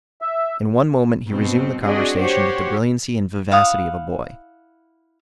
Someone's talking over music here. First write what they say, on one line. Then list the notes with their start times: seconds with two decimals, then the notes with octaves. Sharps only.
In one moment he resumed the conversation with the brilliancy and vivacity of a boy.
0.22 E5
1.29 G2 B2 B3 C4
1.85 C4 D4 F#4 G#4 D5 D#5
2.20 F#4 G4 C5 C#5
3.51 E4 F5 F#5 D#6